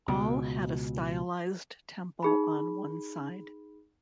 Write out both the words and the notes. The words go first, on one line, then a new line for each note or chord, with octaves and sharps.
All had a stylised temple on one side.
C#2 B2
D#4 G#4 B5